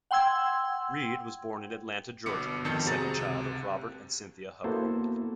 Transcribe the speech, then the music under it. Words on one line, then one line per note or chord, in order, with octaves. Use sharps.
Reed was born in Atlanta, Georgia, the second child of Robert and Cynthia Hubbard.
F#5 G5 C6 E6 G#6
G1 B2 B3 D6 C#7
G#1 F2 D#3 A5 G6 C#7
C3 C4 F#4 G#4 A#5 A6
C#2 C3
A#3 B3 E4 F#4 A4 C5